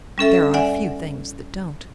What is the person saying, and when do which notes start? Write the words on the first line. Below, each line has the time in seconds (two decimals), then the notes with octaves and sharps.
There are few things that don't.
0.18 G3 C#4 A4 E5
0.54 D5 E5 F#5 G#5